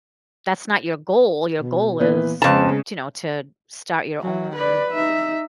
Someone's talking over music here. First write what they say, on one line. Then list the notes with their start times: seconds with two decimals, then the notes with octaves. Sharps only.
that's not your goal. Your goal is, to know, to start your own
1.61 B2
2.00 A#2 E3 B3 B4
2.42 F2 C#3 G#3 B3 C4 A5
4.22 F#3
4.55 B4 D5
4.92 D#4 E5